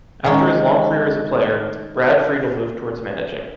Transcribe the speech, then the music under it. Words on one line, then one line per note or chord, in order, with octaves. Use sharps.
After his long career as a player, Brad Friedel moved towards managing.
D#3 G#3 C#4